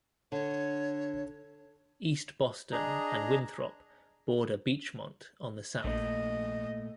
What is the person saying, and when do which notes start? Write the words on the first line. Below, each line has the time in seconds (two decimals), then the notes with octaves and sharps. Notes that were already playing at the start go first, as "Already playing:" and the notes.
East Boston and Winthrop border Beachmont on the South.
0.32 D3 C#5
2.72 D4 G#4 D#5 A#5
5.84 A#1 A#2 A3 D#5